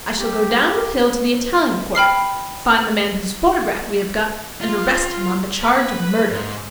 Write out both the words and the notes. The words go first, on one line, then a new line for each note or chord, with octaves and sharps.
I shall go down with Hill to the Italian Quarter, find the man whose photograph we have got, and arrest him on the charge of murder.
G4
G5 B5 F6 C7
F4
B4
G#2